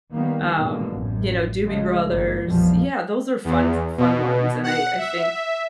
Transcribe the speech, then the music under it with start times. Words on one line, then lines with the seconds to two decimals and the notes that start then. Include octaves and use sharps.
um, you know, Doobie Brothers, yeah, those are funs fun ones, and I I think,
0.13 D#3 G3 A#3 B3
0.57 E2 G#2 B2 D3 A#3
0.91 A1 F#2
1.63 C#3 F3 G#3 A3
2.08 G#1 G2 A#3
2.45 A#1 F2 B2 E3 F3 G3
3.44 E2
3.98 B2
4.63 F#5
4.98 E5